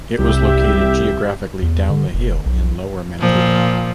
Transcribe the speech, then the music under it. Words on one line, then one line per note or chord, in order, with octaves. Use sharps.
It was located geographically down the hill in lower Mankato.
C2 G3 G4 E5
E2
D3
F1
B1
A#2 F3